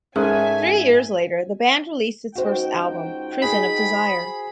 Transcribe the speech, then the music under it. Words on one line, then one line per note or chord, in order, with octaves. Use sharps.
Three years later the band released its first album, "Prison of Desire".
G#2 A3 C#4 A#4 E5 G#5
C#2 D#4 F#4 C5 G5
G#4 B5